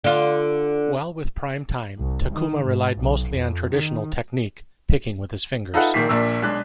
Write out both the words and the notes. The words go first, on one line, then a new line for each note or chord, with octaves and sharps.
While with "Prime Time", Tacuma relied mostly on traditional technique, picking with his fingers.
D3 F4
C2
D#3
G#2
B1
F2
D#3
D#4 F4 A4 B4 E5 F#5
A#1 A#2 D#3 A#3 B6 C7
A#1 A#2 D4 A#4 E6
B1 G#3 D4 F#6